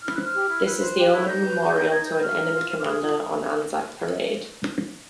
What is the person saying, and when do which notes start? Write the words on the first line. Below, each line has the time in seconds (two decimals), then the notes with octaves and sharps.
This is the only memorial to an enemy commander on Anzac Parade.
0.02 E4 F6
0.14 C5 F#6
0.25 F6
0.34 G4
0.48 E4
0.65 E4 F#6
0.80 C5
0.95 G4
1.12 E4
1.27 D#4 G6
1.43 B4
1.58 F#4
1.74 D#4
1.90 D#4 G#6
2.05 B4 G6
2.21 F#4 F6
2.37 D#4
2.53 F4
2.68 C5
2.78 D6
2.84 G#4 D#6
3.00 F4